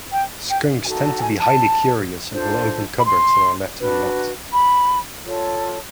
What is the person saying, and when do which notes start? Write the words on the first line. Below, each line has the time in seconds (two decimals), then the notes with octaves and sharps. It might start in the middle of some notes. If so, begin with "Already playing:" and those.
Skunks tend to be highly curious and will open cupboards that are left unlocked.
0.11 G5
0.48 G5
0.85 D#4 F#4 A4 G#5
1.03 A5
1.17 G5
1.21 G#5
1.40 A5
2.32 D4 F4 A4 C5
2.99 B5
3.05 C6
3.79 D4 F#4 B4
4.52 B5
5.26 F4 A4 C#5